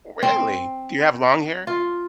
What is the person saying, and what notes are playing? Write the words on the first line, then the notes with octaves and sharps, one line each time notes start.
Really? Do you have long hair?
C4
F4